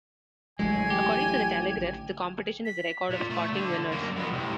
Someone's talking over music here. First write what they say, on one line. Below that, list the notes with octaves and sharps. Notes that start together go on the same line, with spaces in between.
According to the "Telegraph", the competition has a record of "spotting winners".
A1 D3 F#3 G#3 G#5
G4
B6
A#2
A3
D3
F#2 A#3
F2 B3
A2 C3